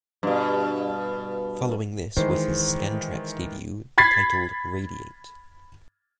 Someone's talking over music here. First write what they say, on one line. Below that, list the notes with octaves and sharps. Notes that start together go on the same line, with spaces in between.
Following this was his Scantraxx Debut titled "Radiate".
G2 B2
D#3 E3 G#3 C5
B5 G#6 A6 B6 C7